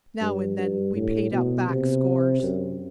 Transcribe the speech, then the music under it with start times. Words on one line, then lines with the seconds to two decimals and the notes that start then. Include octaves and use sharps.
Now and then we paid up back scores.
0.21 G2
0.58 G2
0.95 A2
1.32 B2
1.69 C3
2.43 F#2